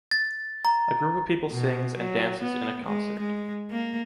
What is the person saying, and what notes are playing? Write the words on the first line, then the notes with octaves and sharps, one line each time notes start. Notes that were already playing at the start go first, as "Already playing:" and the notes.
A group of people sings and dances in a concert.
A6
A#5
B2
F#3
B3
G#3
G#3
A#3